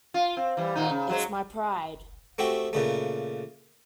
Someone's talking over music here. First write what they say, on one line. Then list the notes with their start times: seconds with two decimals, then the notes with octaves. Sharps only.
It's my pride.
0.14 F4
0.37 C4
0.57 E3 G3
0.75 D#2 A#2 D#4
0.90 C#3
1.10 F#3 G#3 C5
2.38 A3 C4 F#4 G4
2.73 A#2 C#3 A3